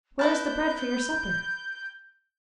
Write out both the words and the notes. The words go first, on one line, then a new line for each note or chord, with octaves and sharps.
"Where is the bread for your supper?"
E4 B4 A5 G6